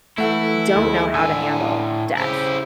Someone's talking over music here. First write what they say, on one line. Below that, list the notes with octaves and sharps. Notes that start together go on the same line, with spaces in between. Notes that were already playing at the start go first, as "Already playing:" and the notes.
don't know how to handle death
E3 A3 E4 A4 F#5
D#2 G#3
A2 D3 G#5 E6
C#3 E4 G4 C5